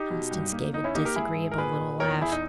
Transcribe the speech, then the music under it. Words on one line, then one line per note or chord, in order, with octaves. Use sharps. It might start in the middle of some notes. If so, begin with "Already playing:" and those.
Constance gave a disagreeable little laugh.
Already playing: D#4 G4
B2
G2
A#3
E2 D#4
C#4 E4
A#3 D#4 G4
G4 A#4
G#2 E4 G#4
G#2
A#4
A#2 G#4 B4
A#2
E2 A#4 C#5
E2 E4 G#4
D#4